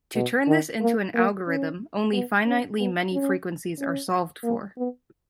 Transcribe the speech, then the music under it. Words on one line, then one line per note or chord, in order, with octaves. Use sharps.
To turn this into an algorithm, only finitely many frequencies are solved for.
B2
D#3
A#3
A#3
C#4
B3
C#4
B3
C#4
C#4
A#3
B3